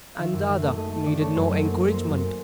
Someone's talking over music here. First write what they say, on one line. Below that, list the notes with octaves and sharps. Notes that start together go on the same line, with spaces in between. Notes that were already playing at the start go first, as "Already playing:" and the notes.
And Dada needed no encouragement.
D#3 E5 F5
F#2
D#3
A3
A3 D#5
A3
D#3 D5
A3 C#5
F#2 C5
F#3
A#3
F#3
A#3 C5
F#2